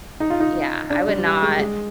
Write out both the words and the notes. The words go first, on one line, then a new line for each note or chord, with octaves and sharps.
Yeah, I would not
D#4
F4
D#4
D4
G3
G3
G#3
G#3